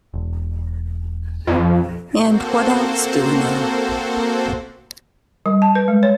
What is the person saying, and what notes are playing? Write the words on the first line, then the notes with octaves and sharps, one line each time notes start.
And what else do we know?
E1
F2
A#3 C4 F#4 A4 C5
G3
A5
B4
G#3
C#5